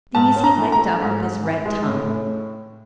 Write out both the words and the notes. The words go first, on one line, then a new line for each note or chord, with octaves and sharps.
These he licked up with his red tongue.
G#2 A5
C#4
A#5
E3
A#5
A3
G#2
G#2
E3
G#3
A2
A2